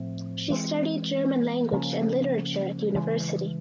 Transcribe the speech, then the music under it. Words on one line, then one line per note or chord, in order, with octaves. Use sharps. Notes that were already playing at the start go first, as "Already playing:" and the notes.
She studied German language and literature at university.
Already playing: A2 F3 A3 C4
E3 G#3 C4
C#3 F3 A#3 C#4
C#3 E3 G#3